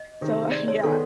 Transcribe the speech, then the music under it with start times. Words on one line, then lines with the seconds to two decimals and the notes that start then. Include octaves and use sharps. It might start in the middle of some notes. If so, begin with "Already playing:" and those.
So, uh, yeah,
Already playing: D#5
0.21 C3 D#3 G#3 C4 D#4
0.52 D5
0.68 C#5
0.83 D#3 G#3 B3 A4